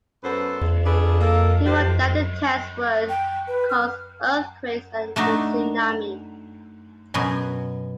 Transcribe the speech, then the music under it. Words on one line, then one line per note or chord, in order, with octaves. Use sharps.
He wrote that the test would cause earthquakes and a tsunami.
F#2 B3 A4 B4 C5
D4 G#4 A4 B4 D5
A#3 A4
E3 G4 C5
G5
B4
F6
A3 D4 D#4 F#4
F#2 B2 G#5